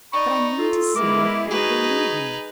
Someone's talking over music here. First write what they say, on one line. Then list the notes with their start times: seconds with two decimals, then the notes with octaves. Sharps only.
But I mean to see where fate will lead me.'
0.13 D#4 D5 B5 C#6
0.58 F4 A4
0.96 G#3 B3 E4 A#4 D6
1.51 D#4 F#4 G#4 B4